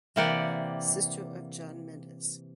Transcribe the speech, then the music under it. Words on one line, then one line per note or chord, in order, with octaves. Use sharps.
Sister of Gian Mendez.
C3 E3 A#3 G4 D5 F#5